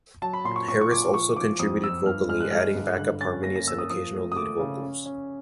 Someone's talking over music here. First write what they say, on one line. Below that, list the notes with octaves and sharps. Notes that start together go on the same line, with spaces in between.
Harris also contributed vocally, adding backup harmonies and occasional lead vocals.
F#3 A5
B5
A#2 C6
C#6
A#2 C#6
C#6
A#2 D6
F3 C#6
F3 D6
F2 D#6
F3 E6
G2 F6
G#3 F6
F#6
G#3 F6
G2
D3 F#6
C#4 A6
A#3 A#6
A#6
A#3 E6
D#6
F3 D#6
A3
D#6
A3 D6
C#3
C#4
C#4